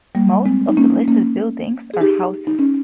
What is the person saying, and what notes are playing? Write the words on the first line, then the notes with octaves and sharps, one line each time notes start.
Most of the listed buildings are houses.
G3 A#3
G#3 C4
D#4
A#3 C#4
A#3 C#4
G#4
D#4 G4
D#4
C#4